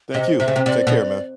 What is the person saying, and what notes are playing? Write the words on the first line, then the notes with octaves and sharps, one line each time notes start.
Thank you, take care, man
C3 D#5
C3 E5
C#3
C3
C3 D5
B2